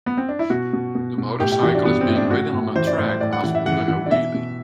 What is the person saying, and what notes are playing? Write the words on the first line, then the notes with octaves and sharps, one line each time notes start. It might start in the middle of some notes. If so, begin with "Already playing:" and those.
The motorcycle is being ridden on a track whilst pulling a wheelie.
B3
C4
D4
E4
B2 F#4
B2
B2
B2
A2 G4
G4
E3 F#4
D4
E3 B3
C4
A2
D4
A2 F#4
A2
E3 C5
D5
A2 C5
C5
A2 D5
F#5
E3 F#5
E5
E3 F#5
E3 F#5
D5
B2 E5
B2